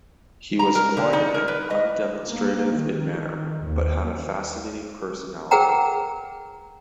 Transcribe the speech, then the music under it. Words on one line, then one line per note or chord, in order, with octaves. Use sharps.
He was quiet and undemonstrative in manner, but had a fascinating personality.
A#5
A#4
D3
D#4
A#4
B4
D#5
A#3
D#3
D#2
G#4 A#4 B4 F#5 G5 A#5